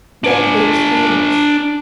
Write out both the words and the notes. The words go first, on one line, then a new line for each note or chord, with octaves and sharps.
that they change
D4 G#5